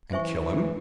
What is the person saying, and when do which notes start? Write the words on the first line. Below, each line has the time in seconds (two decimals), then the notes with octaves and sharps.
"And kill him?"
0.13 E3 C5 E5 G#5 C#6